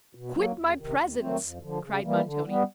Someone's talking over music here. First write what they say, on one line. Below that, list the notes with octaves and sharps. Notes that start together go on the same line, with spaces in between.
'Quit my presence!' cried Montoni.
B2
F#3 A#3
E2
C3 D#3
D#2
D#3 F#3 A3 C4
F2
D3 F3
C#3
E3 G3 A#3
D3
G3 B3